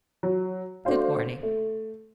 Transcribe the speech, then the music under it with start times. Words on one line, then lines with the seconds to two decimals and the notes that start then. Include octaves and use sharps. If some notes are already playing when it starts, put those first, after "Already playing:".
Good morning.'
0.23 F#3
0.85 A3 D4 F#4 C5 F5
1.43 A3